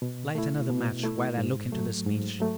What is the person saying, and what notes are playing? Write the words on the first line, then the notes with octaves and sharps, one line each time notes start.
Light another match while I look into this niche.
B2
A3 E4
B2
A3 E4
G#2
F#3 A3
G#2
F#3 A3